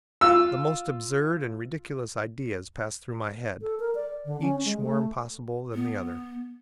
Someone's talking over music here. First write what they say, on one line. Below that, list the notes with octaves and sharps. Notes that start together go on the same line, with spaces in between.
The most absurd and ridiculous ideas passed through my head, each more impossible than the other.
F4 E6
A4
A#4
D5
D3
C#4
G#3
A3
B3